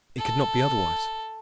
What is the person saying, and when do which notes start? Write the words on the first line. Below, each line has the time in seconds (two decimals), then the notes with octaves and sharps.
It could not be otherwise.
0.18 A4